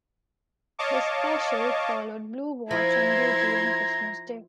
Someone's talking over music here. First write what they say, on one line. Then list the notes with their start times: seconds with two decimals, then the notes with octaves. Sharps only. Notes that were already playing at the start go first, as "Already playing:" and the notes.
The special followed Blue Watch on duty on Christmas Day.
0.79 C#5 D#5 F5 A5 C#6 D6
2.71 F3 E4 A#5 C6 G#6